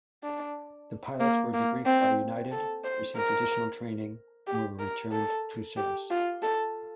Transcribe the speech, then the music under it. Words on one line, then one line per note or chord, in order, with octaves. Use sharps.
The pilots were debriefed by United, received additional training and were returned to service.
D4
A#3
A#3
C4
A4
C5
A#4
G4
A#4
A4
G4
F4
A4